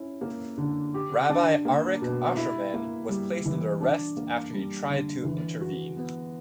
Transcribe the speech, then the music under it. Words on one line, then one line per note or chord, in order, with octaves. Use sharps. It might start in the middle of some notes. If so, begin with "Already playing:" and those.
Rabbi Arik Ascherman was placed under arrest after he tried to intervene.
Already playing: C#4 E4
A#3
D3
G4
D4
A#3
B2
E4
A#3
G3
E3
D4
A#3
G3
D3
E3
F#4
B3